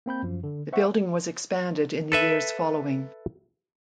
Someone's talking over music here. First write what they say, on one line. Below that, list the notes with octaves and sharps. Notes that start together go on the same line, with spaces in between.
The building was expanded in the years following.
A#3 C4 B5 G6
F#2 F3
D3
C5 E5 F#5 C#6
A4 B4 E5